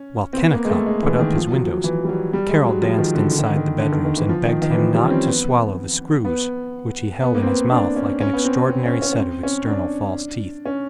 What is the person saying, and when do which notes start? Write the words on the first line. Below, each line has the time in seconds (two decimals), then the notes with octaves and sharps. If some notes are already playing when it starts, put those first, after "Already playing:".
While Kennicott put up his windows Carol danced inside the bedrooms and begged him not to swallow the screws, which he held in his mouth like an extraordinary set of external false teeth.
Already playing: C#4
0.33 C4
0.38 B3
0.54 A#3
0.65 G#3
0.70 A3
0.86 G#3
1.03 E3
1.19 D#3
1.35 F3
1.52 F#3
1.68 F#3
1.84 E3
2.04 G3
2.09 F#3
2.33 G3
2.49 G#3
2.66 F#3
2.82 F3
2.98 D#3
3.15 D3
3.31 D3
3.38 D#3
3.46 D3
3.56 D#3
3.80 D3
3.92 D#3
4.05 D#3
4.17 E3
4.29 F3
4.45 D#3
4.62 D#3
4.70 E3
4.78 F3
4.95 G3
5.04 C#4
5.10 C4
5.27 B3
6.25 B3
7.22 B3
7.35 A#3
7.42 C4
7.47 B3
7.71 D4
7.96 C#4
8.20 C#4
8.33 B3
8.45 C4
8.69 C4
8.86 C#4
9.02 C#4
9.13 C#4
9.18 C4
9.43 C#4
9.67 D4
10.65 C#4